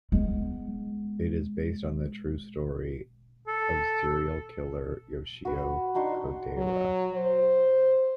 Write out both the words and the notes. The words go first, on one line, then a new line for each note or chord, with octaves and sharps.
It is based on the true story of serial killer Yoshio Kodaira.
G#3 B3
A4
F#4 B4
D4 D#4 F#4 C6
F#3
C5